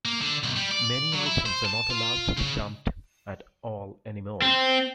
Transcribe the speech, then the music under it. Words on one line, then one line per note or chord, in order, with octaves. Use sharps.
Many items are not allowed to be dumped at all anymore.
A#3
D3
B1
G3
D5
F#3
E4
C5
A5
F4
C#3
C4